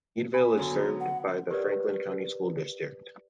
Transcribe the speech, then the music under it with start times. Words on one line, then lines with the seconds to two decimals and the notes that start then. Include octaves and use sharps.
Meadville is served by the Franklin County School District.
0.34 G#5 B5
0.56 D3 F#3 B3
1.00 F#5
1.51 G4 A#4 B4 C#5 D5